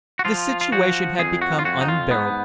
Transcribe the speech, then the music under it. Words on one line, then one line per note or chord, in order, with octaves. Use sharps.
The situation had become unbearable.
F#4
F3 F4
F4
F3 F#4
F2 G#4
F#4
F4
F2 F#4
D#4
F4
G#2 B3